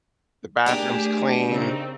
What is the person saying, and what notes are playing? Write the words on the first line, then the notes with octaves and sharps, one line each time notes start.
the bathroom's clean,
A3 D4 G4 G#4 A#4 D5
C#3 C4 D#4